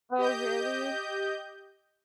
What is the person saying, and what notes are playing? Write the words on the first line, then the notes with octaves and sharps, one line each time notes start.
Oh, really?
G4 D#5 G6